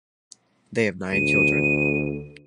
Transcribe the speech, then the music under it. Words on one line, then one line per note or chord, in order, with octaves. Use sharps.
They have nine children.
D2 D#7